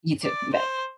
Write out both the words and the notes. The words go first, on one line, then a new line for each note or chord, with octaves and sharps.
You too. Bye.
D5
C5